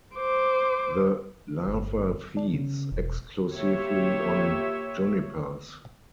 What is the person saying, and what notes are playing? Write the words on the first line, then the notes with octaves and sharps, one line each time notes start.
The larva feeds exclusively on junipers.
C5 D6
G1
D4
C#3
E1
A#3 F4 G4 C#5 E5